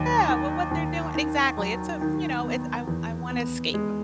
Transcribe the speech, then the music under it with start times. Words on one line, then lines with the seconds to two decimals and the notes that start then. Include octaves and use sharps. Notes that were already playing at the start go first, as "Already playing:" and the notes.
yeah, with what they're doin exactly, it's a, you know, it's I I wanna escape.
Already playing: D#2 F#3
0.28 D#3
0.71 D#2
1.15 D#3
1.58 F#3
2.01 D#3
2.43 B3
2.87 E2
3.30 B3
3.74 G#3